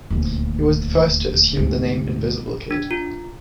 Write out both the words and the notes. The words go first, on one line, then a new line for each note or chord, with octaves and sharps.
He was the first to assume the name Invisible Kid.
D#1 D2
D2 G#2 C3
D4
F4